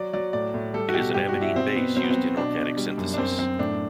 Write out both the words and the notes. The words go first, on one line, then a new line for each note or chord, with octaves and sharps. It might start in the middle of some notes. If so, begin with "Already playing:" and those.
It is an amidine base used in organic synthesis.
Already playing: F#3 D5
F#3 D5
A2 D5
A2
G3 A4
F#4
B2 G4
G2 G4
F#4
G2
E4
B2 C4
B2 B3
F#3 C4
B3
C4
F#3
B2 D4
B2
G3
F#2
D4
F#2 C4
F#2 C4
A2 D4